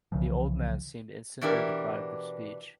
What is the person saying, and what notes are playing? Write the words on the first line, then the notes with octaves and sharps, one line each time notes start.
The old man seemed instantly deprived of speech.
C2 C#3 E3 F3
B2 E3 D4 G4 A#4